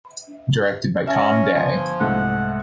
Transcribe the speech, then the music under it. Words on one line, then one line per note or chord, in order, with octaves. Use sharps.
Directed by Tom Dey.
C#4 A#4 E5 G#5 A5
G1 F3 G#5
C2 G#2 A3 F#5